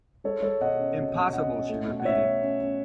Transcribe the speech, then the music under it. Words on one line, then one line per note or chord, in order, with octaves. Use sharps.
"Impossible," she repeated.
G#3 A4 C#5
G#3 A4 C#5
B2 D#5 F#5
C#4
B2
B2
C#4 D#5 F#5
C#4
A3
B2
F#5
C#4 C#5 E5
C#4
C#4
C#4